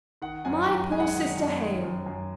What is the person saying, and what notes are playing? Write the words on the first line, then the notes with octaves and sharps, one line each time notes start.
My poor sister Hale!
D#3 F#5
F#2 G#5
F#2 A#5
G#3 G#5
F#5
G#5
D#3
F#2
D#3
F#2
F#2